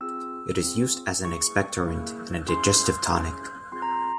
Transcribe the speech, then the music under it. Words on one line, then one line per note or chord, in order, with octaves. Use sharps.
It is used as an expectorant and a digestive tonic.
C4 F4 G#4 E6
C4 F4 G#4
A#3 E4 G#4 C#6
A#3 E4 G#4
C#4 E4 G#4 C6
C#4 E4 G#4
C4 F4 G#4 C6
A#5
C6